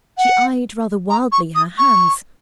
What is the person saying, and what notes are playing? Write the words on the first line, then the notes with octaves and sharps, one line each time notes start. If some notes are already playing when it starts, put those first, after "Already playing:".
She eyed rather wildly her hands.
F#5
A#5
C#6
D#6
C#6